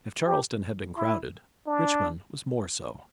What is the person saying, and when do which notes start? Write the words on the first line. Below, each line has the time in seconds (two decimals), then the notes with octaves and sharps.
If Charleston had been crowded, Richmond was more so.
0.28 G4
0.97 E4
1.67 D4